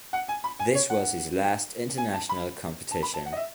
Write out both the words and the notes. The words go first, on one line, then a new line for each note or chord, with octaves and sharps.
This was his last international competition.
F#5
G#5
B5
G#5
C#5
F#5
G#5
A5
B5
A5
B5
A5
F#5
D#5
E5